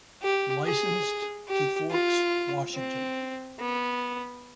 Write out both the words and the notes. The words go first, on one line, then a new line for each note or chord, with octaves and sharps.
Licensed to Forks, Washington.
G4
G#4
G4
F4
C4
B3